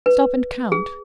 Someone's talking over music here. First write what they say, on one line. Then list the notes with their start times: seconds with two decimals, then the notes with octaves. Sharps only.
Stop and count.
0.06 B4
0.72 G#4